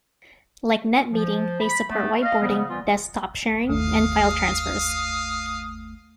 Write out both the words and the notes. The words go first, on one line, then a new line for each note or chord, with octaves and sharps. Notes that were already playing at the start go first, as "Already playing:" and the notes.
Like NetMeeting, they support whiteboarding, desktop sharing, and file transfers.
F3
B5
A3 B3
D#5 F5
C#3 F3 G3 B3
E3 G3 B3 F4
G1 D#2 A3 F5 D#6